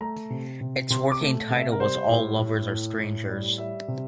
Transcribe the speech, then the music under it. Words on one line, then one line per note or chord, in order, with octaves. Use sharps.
Its working title was "All Lovers Are Strangers".
A3 A#5
C3
C3
C3 C6
D6
A3
C3
E5
A#4
G3 C5
A2
A2
A2
A2
G3
G3 E5
C3